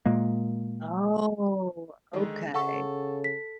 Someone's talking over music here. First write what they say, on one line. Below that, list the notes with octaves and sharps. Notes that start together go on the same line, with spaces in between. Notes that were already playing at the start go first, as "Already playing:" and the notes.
Oh. Okay.
A#2 G#3 A#3
D3 D#3 G#3
C#3 A4 F#5 C#6
B6